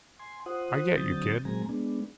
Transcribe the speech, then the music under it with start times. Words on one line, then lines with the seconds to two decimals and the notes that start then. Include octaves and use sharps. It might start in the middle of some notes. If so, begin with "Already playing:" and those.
"I get you, kid."
0.19 G#5 C6
0.46 F4 C5 F#5 D#6
0.97 D3 F#3 C4 D#6 G6 A6
1.45 A#2 F#3 G#3 C4 G#5 A#5
1.69 G#3 B3 D4